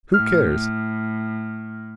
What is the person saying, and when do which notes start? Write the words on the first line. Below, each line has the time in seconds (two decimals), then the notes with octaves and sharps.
Who cares?
0.14 A2 F6